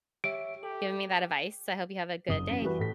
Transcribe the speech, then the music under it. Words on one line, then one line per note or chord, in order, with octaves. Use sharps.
giving me that advice. I hope you have a good day.
G4 C#5 E5 D7
G4 A4
F#1 D#6 G7
F#2 B6 G7
E3 G3 F#4 B4
A2 A3 B6